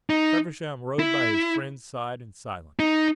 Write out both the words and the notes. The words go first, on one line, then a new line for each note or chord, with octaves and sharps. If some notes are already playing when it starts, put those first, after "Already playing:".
Feversham rode by his friend's side in silence.
D#4
E4
D#4